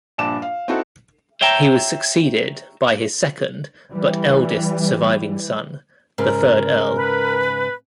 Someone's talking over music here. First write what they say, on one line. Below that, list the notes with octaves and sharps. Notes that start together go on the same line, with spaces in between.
He was succeeded by his second but eldest surviving son, the third Earl.
A#1 G2 D4 A5 D6 E7
F5
C4 D#4 E4 F#4 A4 C5
C5 C#5 E5 G5 A5 A#5
E3 G3
G#2 C#3 A#4
B4